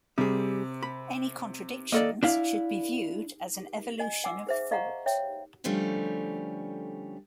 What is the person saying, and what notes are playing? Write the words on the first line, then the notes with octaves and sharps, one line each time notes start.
Any contradictions should be viewed as an evolution of thought.
C3 G3 G#4
B5
A#3 A4 D5 D#5
D4 E4 F5
D#5 G#5
F#5 G#5 D6 E6
G#4 C5 E5
D#5 F5 F#5 A#5 C#6
C#5 E5 G5
D3 F3 G3 A3 C#4